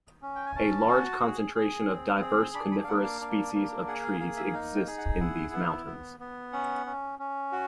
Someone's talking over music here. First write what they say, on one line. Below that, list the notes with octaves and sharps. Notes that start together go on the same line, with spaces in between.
A large concentration of diverse coniferous species of trees exists in these mountains.
C#4
G5
G#5
C#4 A5
F#4
G#4
G#4
C4
G#4
D4 B5
B5
F5
A#3 F#5
F5
D4
A#3
G#4 F#5
F5
A#3 F5
E5
D#4 F5
G5
G#4
F#5
E4 F#5
B3
B3
B3
C#4 F#5
C#4
C#4
F#4